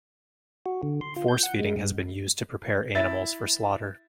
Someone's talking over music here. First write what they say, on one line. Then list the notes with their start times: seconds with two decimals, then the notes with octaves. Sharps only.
Force-feeding has been used to prepare animals for slaughter.
0.66 F#4
0.83 D3
1.01 C6
1.16 F4
1.28 G6
1.43 F#5
1.59 G#3
1.76 G2
2.95 E4 A6